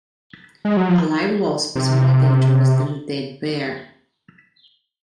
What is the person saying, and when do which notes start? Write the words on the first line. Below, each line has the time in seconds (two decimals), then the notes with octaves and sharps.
A live wasp is more dangerous than a dead bear.
0.65 G#3
0.77 F#3
0.89 F3
1.76 C3